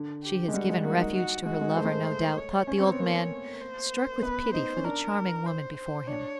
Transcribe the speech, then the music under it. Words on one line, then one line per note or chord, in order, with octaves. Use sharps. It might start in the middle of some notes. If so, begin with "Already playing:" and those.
"She has given refuge to her lover, no doubt," thought the old man, struck with pity for the charming woman before him.
Already playing: D3
G4
G#3
G3 F#4
G#3
A#3 F#4
D#4
D#4 F#4
G#3 F#4
G#3
A3 C5
G#3
A3
C#5
C#4
C4
B3
A#3
C5
B3 B4
D#4 C5
C#4
D4 A#4
C5
C5
D4 C#5